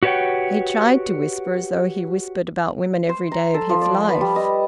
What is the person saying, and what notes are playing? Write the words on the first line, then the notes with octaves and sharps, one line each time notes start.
He tried to whisper as though he whispered about women every day of his life.
F#4 G4 B4 C#5 F#5 G5
C5
A#5
A4
F3
D5
B4
G3
D#5